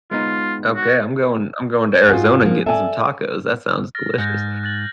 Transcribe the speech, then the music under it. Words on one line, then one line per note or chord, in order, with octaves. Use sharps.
Okay, I'm going I'm going to Arizona and getting some tacos. That sounds delicious.
G#3 B3 D#4 F4
F#4
G#2 F4 F#4 G#4
F3 A#3
A4 D5 E5 G#5
F6 A6 A#6
G#2 F#6 G6 A#6
F#6 A6 F#7